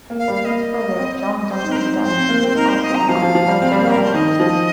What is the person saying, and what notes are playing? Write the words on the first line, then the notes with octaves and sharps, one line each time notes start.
His brother John Duncan Dunn was also an architect of golf courses.
A#3
F5
G3
F5
A#3 D#5
C4
C5
D#4
C4
A#4
C5
D#4
C4 C5
C4
A#3
C4
C5
D#4 A#4
C5
D#5
C4
A#5
F3 F5
F3
F3
G3
C4
G3
A#3
A#4
G3
C5
D#3 D#5
F3